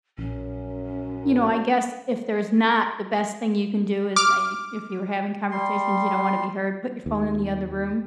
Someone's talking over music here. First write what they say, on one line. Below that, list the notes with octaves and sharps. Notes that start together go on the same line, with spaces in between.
you know, I guess if there's not, the best thing you can do is, like, if you were having conversations, you don't wanna be heard, put your phone in the other room.
A#1 F#2 C#4
D6 F6
G3 C6
D#2